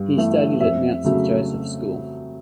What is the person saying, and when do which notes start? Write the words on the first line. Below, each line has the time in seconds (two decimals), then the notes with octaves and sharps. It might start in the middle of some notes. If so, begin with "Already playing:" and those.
He studied at Mount St Joseph School.
Already playing: G2
0.17 E3 A3
0.60 F2 E5
1.04 C#3 F#3 A3